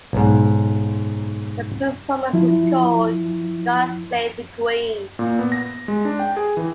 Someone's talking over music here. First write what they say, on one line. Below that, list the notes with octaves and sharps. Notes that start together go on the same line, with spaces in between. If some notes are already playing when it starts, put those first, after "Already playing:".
The performance was called God Save the Queen!
B1 G#2
F3 E4
A#2
B3
A#6
G#3
D4
G5
G#4
E3